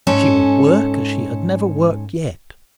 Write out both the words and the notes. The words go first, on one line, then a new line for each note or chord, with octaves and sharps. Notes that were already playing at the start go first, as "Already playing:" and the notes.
She would work as she had never worked yet.
G#2 C#4 A4